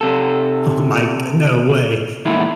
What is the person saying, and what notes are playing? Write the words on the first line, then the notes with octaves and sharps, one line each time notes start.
Oh my g no way.
C3 A4
E2 A#2 G#3 D#4 E4